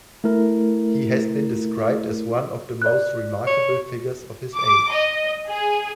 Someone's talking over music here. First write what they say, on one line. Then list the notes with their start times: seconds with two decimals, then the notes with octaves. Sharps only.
He has been described as "one of the most remarkable figures of his age".
0.24 A3 E4 A#4
2.82 D5 F#6
3.47 C#5
4.56 D6
4.91 D#5
5.47 G#4